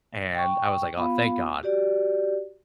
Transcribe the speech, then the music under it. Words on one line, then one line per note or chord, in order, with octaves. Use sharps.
and I was like, "Aw, thank god,"
G5 C#6
B3 F4 F5 B5
F#4 G4 D5